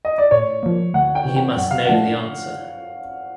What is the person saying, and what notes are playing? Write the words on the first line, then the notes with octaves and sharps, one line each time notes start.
He must know the answer.
D#5
D5
A2 C#5
F3 A#3
D2 F#5
G5
C3 E3
G5
F#2 F#5
F5
D3 F3 A3 D4 F#5